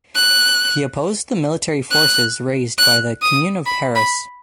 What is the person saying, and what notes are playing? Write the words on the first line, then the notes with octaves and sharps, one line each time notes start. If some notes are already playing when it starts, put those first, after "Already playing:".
He opposed the military forces raised by the Comune of Paris.
F#6
F#6
F#6
D#6
B5
B5